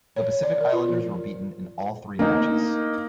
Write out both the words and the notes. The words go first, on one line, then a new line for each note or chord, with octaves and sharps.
The Pacific Islanders were beaten in all three matches.
C#5
D5
A#4
F4
F3
A#3 D#4